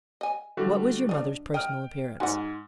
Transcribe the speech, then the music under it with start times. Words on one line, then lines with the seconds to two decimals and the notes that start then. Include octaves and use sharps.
"What was your mother's personal appearance?"
0.21 D#5 G#5
0.57 D3 G3 F#4
1.09 D4 D#5
1.54 D#5 G5 F6
2.20 G#2 F#4 F#5 G#5